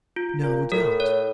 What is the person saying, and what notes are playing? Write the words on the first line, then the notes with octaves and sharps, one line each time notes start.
No doubt.
F4
A#2 F4
A2 A#4
C#5